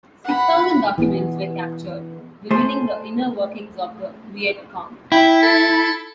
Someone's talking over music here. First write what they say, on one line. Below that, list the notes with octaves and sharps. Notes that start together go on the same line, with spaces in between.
Six thousand documents were captured, revealing the inner workings of the Viet Cong.
F#5 B5
E3 B3 G#4
A3 G#4 C5
E4 G5
A4